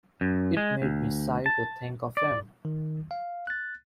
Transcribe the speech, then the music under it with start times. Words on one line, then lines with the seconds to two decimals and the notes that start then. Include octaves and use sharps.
It made me sigh to think of him.
0.21 F#2
0.57 G#3
0.82 D2
1.46 A5
2.17 D5
2.65 D#3
3.11 F5
3.47 F#6 A6